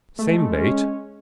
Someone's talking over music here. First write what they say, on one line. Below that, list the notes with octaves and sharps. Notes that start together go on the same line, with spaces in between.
Same bait.
G#3 A3
C#4